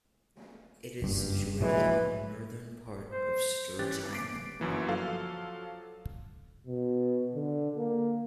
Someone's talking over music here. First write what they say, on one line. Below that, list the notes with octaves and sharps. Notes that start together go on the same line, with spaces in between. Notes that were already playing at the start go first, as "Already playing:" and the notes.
It is situated on the northern part of Sturge Island.
F#1 G2
A#1 E3 F#3 G#3
C5
E3 C#4 G4 F#6 A6
D6 B6 C7 D7
G1 F#2 E3 A#3
F3 F#3 F4 A4 F5
B2
D3
A#3